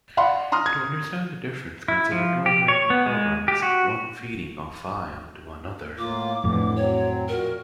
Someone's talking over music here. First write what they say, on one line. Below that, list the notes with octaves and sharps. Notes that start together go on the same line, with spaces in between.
To understand the difference, consider two interacting programs, one feeding a file to another.
D5 F5 F#5 B5 C6
A#5 C6 D#6 F6
G#6
E4
F3
G4
C#5
B3
G#3
G4
F#4
A2 A#3 F4 D6
F2 A2 D3 E3
F#3 C4 C#5
A#2 F#4 A#4